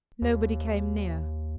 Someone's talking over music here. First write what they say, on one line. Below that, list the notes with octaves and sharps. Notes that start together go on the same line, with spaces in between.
Nobody came near.
D#2